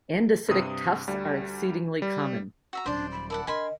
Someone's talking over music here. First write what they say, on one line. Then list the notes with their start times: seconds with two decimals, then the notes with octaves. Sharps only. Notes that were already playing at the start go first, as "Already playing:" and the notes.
Andesitic tuffs are exceedingly common.
0.48 G2 C3 D#6
1.07 D2 G3
2.02 G3
2.73 F#4 E5 A#5
2.86 D#1 F#3 D4 C5 D5
3.12 B5
3.30 E4 A#4 D5 F#5 A5
3.47 D3 A#4 D#5 G#5 B5 C6